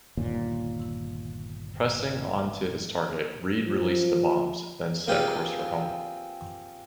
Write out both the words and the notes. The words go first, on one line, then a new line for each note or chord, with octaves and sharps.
Pressing on to his target, Reid released the bombs, then set course for home.
G1 D#2 A#2
F3
A#3 C4 F4 G4 G#4 B4